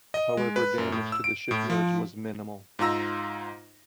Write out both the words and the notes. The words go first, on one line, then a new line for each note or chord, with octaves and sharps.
However damage to the shipyards was minimal.
D#5
G#3
B4
F#2
A2
E6
D7
A2
F3
G#2 D#4 F4 A#5 E6 A#6